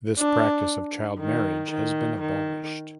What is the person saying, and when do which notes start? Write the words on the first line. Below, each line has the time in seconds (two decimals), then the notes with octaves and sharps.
This practice of child marriage has been abolished.
0.19 D4
1.19 D#3
1.70 D#3
2.21 D#3